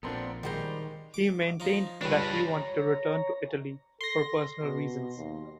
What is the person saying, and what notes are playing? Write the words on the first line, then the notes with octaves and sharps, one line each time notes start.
He maintained that he wanted to return to Italy for personal reasons.
A#1 A#2 B3 C4 D4 A4 A#4 C6
D#3 G3 G#3 C5 F5 A#5
D6
F3 D#4
C#2 G2 D4 B4
C#5 A#5
A4 C6 A#6
B2
D#2